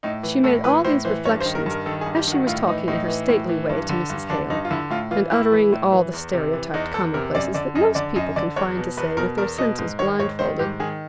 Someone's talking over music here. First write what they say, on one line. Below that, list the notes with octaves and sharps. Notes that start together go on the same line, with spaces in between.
She made all these reflections as she was talking in her stately way to Mrs. Hale, and uttering all the stereotyped commonplaces that most people can find to say with their senses blindfolded.
A2 D#4
E3
A2 A4
E3 B4
A2 C5
E3 C5
G2 C#5
C5
D#3
A#4
G2 A#4
D#3 A4
G#4
G2
G4
D#3 F#4
A2 F4
E3 D#4
A2 D#4
E3
A2
E3
G2
D3
G2
D3 D4
G2 D#4
F4
D3 E4
A2 F4
E3 F4
A2 E4
E3
A2
E3
E2
C3
E3
E2 D#4
E2 A4
C3 A#4
F#2 D5
D3 D5
F#2 D#5
D3 D5
F#2 D#5
D3 D5
E2 C#5
B2
E2 B4
B2 A#4
E2 A#4
B2 D#5
G#2
D#3 C#5
G#2 C#5
D#3 C5
G#2 G4
D#3 G#4